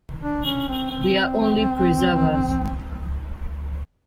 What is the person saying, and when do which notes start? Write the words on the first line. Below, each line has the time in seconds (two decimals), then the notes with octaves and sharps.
We are only preservers.
0.23 D4
0.45 C#4
0.68 C4
0.91 C4